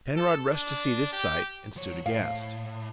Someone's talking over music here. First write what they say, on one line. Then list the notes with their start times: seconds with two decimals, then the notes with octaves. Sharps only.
Penrod rushed to see this sight, and stood aghast.
0.16 A4
0.51 D4
1.12 G4
1.76 F3 C#5
2.06 A2 F5